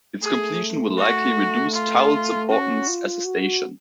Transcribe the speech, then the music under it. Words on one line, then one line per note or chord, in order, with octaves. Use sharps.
Its completion will likely reduce Toul's importance as a station.
A3 G#4
F#4
F4
C#4 F#4
F4
F#4